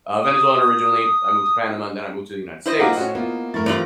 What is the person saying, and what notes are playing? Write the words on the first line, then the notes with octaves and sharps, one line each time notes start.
Uh, Venezuelan originally, I moved to Panama, and then I moved to the United States.
D#6
E4 C5 D#5
A#3 D#4 F4 F#5 D6
A2 C#4 F#4
A#3 B3 F4
G2 A3 E4 A#4 C#6 A6
E3 F3 C4 F4